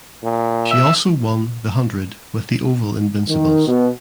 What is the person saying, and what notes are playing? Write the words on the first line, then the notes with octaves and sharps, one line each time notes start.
She also won The Hundred with the Oval Invincibles.
A#2
E5
D#3
B2